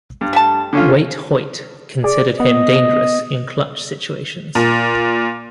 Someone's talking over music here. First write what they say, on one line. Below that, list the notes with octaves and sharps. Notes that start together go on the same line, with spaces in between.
Waite Hoyt considered him dangerous in clutch situations.
G2
G3 A3 A5
D3 C#4 F4
G#4 D5
B3 D#5
A#2